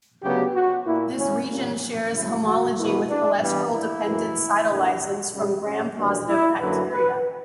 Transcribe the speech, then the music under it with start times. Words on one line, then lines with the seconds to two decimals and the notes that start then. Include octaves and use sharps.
This region shares homology with cholesterol-dependent cytolysins from Gram-positive bacteria.
0.22 D2 C#3 F#3 B3 G4
0.54 F#4
0.85 A#2 A#3 E4
1.19 C#4
1.49 A#2 G3 A#3 C#4
2.14 D2 C#3 F#3 E4
2.45 F#4
2.78 B2 A#3 E4
3.09 D4
3.41 G2 E3 G3 B3 D4
3.73 E4
4.05 F#2 E3 A#3
4.69 G2 D3 A#3
5.34 C#2 C#3 G3
5.64 C#4
5.96 E2 B2 G3 A#3 D4
6.28 E4
6.60 F#2 D3 F#3 A#3 B4
6.92 B4